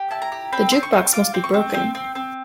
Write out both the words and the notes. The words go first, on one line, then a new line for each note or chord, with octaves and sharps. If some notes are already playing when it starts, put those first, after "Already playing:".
The jukebox must be broken.
Already playing: G4
E4 A5
A#5
G4
C4 B5
C4 C6
C#6
C4
F4 D6
C4
C#6
C4
C4
C4
C4